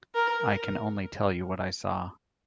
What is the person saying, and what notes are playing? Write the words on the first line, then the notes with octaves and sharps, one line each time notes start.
I can only tell you what I saw.
A#4